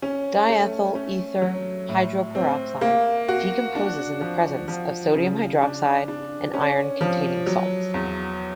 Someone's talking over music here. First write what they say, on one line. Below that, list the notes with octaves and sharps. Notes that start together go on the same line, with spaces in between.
Diethyl ether hydroperoxide decomposes in the presence of sodium hydroxide and Fe-containing salts.
C#4
A3
C#4
F#3
A2
C4
A#3
F#4
D4
F3
F3
C#3
D4
D4
C#4
F3
F#3
E2